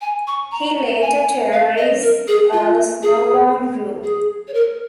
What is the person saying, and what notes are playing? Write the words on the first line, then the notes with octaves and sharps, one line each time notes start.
He later terrorizes a snowbound group.
G#5
C#6
A#5
G#5
F5
D#5
A#4
G#4
F4
G#4
G#4
C#5
A#4